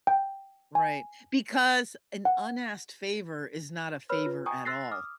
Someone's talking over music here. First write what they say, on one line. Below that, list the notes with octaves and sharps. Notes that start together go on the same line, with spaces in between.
Right, because an unasked favor is not a favor at all.
G5
G#5
F#5
B4 C#5 B5 E6 F6
F4 B4
G5 G#5 A#5 C#6 D#6
C6 E6 F#6 A6 A#6 C7
D6 D#6 F6